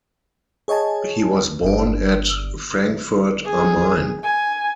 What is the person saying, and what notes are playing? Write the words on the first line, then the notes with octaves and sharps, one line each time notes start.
He was born at Frankfurt-am-Main.
G#4 C#5 D#5 G#5 A5
G1 D4
G#4
G#5